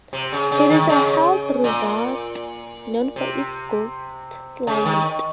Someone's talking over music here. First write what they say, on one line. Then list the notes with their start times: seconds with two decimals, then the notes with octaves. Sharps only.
It is a health resort, known for its good climate.
0.13 C3
0.32 C#3
0.51 C#3
0.70 D#3
0.89 C#3
1.64 A#2
3.16 C3
4.67 C#3
4.85 D#3